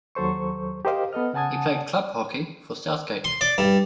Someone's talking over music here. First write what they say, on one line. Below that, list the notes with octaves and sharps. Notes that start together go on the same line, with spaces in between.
He played club hockey for Southgate.
D#2 F#3 A4 C5 C#6
G4 A#4 C5 D#5 F5
B3 A4 D#5 F6
C#3 F#5 G#5 A5 D#6 G#6
C6
D5
G2